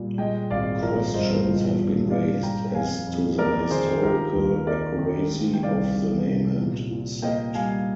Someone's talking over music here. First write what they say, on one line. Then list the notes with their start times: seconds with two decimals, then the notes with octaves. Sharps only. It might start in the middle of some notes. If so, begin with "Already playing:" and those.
Questions have been raised as to the historical accuracy of the name and sect.
Already playing: A#2 G3
0.18 G#3 D#5 G5
0.50 G#1 D5 F5
0.82 F3 A#4 D5
1.14 G2 C5 D#5
1.47 A#2
1.79 A#2
2.10 D#4 D5 F5
2.43 G#3 G5 A#5
2.74 F2 F5 G#5
3.06 F2
3.38 G#3 A#4 D5
3.61 D5
3.70 D#3 G#4 C5
4.03 F4 G4 A#4
4.35 D#2
4.67 A#3 A#4 D5
4.98 D#3
5.31 G#3
5.53 G5
5.63 C2 D5 F5
5.95 D#3
6.27 C3
6.59 A#2
6.91 A#2
7.22 A#3 D#5 G5
7.54 G3 F5 G#5